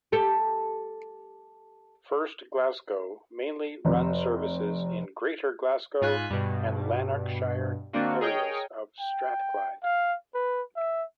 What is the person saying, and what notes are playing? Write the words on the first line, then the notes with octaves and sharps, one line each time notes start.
First Glasgow mainly run services in Greater Glasgow and Lanarkshire areas of Strathclyde.
G4 A4
F1
G#2 F4 G#5 F#6 B6
G2 B2
D#3 A#3 C4 D4 F4 F#4
G#4 A#4 C#5 D#5 G5
G5
F5
B4
E5